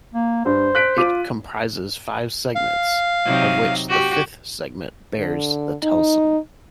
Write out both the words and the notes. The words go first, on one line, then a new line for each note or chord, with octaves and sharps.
It comprises five segments, of which the fifth segment bears the telson.
A#3
G2 C5
F#6 B6 D7
F4 D6 D#7
F5
C3 F#3 D#4
F#4 G4
D3
D#4